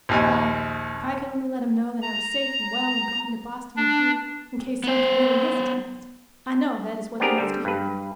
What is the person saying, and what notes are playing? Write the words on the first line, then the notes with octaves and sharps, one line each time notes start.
"Why, if I could only let him know that I was safe and well and going to Boston with you, in case Sumter really is attacked; I know that is what he wants to hear."
A#1 D#2 G#5
A#5
D4
B3 C5
B3 C4 D4 G4 G#4 A#4
D3 G3
G2 B4